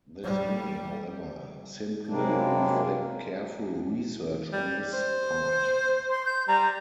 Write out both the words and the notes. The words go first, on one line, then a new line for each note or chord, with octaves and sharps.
This may, however, simply reflect careful research on his part.
G3
F#2 C3 G3 G#3 A#3 D4
G3
C5
C6
G6
G3 A#5